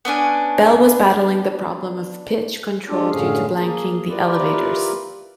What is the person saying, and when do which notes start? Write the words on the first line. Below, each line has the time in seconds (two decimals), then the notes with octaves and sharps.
Bell was battling the problem of pitch control due to "blanking" the elevators.
0.05 B3 C#4 D4 G#5
2.88 G#3 D4 F4 G4 A4
3.10 F#2 A2 D3 C#4 G#4 F5
3.52 A#3 G#4
4.08 E4 F4 G4 A#4 B4 D5